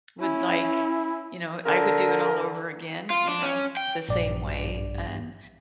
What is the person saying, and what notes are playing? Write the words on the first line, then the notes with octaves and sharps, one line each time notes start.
would, like, you know I would do it all over again, you know, the same way, and
C#4 E4
D3 A#4
F4
D4
C#4
G5
A#1 G2 D5